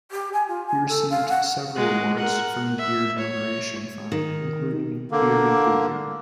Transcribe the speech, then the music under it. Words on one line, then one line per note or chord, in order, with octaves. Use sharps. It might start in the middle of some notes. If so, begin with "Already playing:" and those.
He received several awards from the Beard Liberation Front, including "Beard of the Year".
G4
G#5
F4
G#5
A4
F5
F#5
G#3 F#4
A#4 F#5
E5
C#5
D#3
D3 A#3